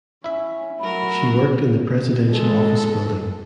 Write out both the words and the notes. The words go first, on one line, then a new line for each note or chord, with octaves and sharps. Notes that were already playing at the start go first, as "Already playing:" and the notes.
She worked in the Presidential Office Building.
C#4 E4 E5
F#3 A3 F#4 A#4 B5
G#3 A4